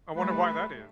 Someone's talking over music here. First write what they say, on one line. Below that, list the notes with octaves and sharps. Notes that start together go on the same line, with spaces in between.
I wonder why that is.
G3 A3 B4